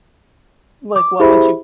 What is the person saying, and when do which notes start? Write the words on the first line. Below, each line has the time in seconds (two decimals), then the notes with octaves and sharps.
Like, what would you
0.96 D6
1.20 E4 G4 G#4 C5 E5 B5